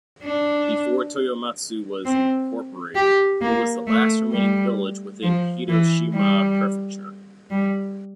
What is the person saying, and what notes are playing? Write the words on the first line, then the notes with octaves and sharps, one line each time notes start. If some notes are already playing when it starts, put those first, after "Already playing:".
Before Toyomatsu was incorporated, it was the last remaining village within Hiroshima Prefecture.
D4
C4
G4
A#3
A3
G3
F3
E3
G3
G3